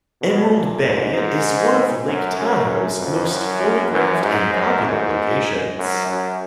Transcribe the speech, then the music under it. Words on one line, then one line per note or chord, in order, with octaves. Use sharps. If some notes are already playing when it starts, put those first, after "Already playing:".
Emerald Bay is one of Lake Tahoe's most photographed and popular locations.
B2
A#2
G#2
G#2
F#2
F#2
F2
F#2
F#2
G#2
F#2
G#2
F#2
F#2